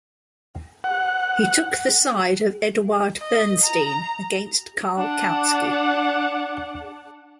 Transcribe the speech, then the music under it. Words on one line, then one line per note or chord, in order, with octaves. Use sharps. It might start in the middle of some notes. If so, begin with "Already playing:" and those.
He took the side of Eduard Bernstein against Karl Kautsky.
F#5
D#5
A#5
D4 F#5